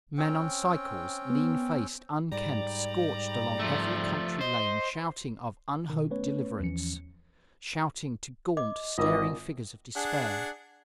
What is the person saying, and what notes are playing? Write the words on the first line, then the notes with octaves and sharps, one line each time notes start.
Men on cycles, lean-faced, unkempt, scorched along every country lane shouting of unhoped deliverance, shouting to gaunt, staring figures of despair.
C4 C#4 G5
B3
G#2 G3 D5 A#5
F3 A3
C5 D#5
B2 D#3
A3 B3 C#4 B4 C#5
E2 E3 F3 C#4 C#7
D#5 D6
G#1 F4 A#4 D#5 D6
D4 G#4 F#5